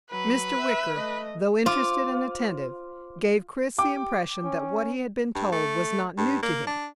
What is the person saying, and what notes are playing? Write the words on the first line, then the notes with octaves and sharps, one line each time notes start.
Mr. Wicker though interested and attentive, gave Chris the impression that what he had been told was not new to him.
F#3 B4
E5
A3 D#5
F4 C5 D6
G4 G5 D6
C#4
G2
A3
G2
A#3
D4